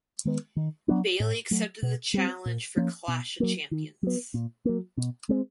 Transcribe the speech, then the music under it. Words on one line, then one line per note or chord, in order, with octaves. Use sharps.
Bayley accepted the challenge for Clash of Champions.
D#3 G#3 B3
D#3
F#3 B3 D4
A2
F#3 A3
B2
G3 C4
A#2
F3 A#3 C#4
B2
F#3 A#3
D#3
F#3 B3
A#2
F#3 A#3
B2
G#3 C4